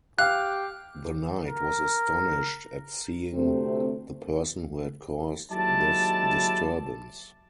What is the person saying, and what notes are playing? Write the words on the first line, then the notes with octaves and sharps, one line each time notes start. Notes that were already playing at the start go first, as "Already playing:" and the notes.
The knight was astonished at seeing the person who had caused this disturbance.
G4 F5 F6 F#6
A#4
D2 C3 A3 C4
D#2 F#3 G#3 E4 D5 A5